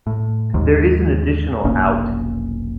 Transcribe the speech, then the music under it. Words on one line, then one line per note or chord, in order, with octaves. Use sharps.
There is an additional out
A2
D#2 G#2 D#3
F1 B1 A#3 C#4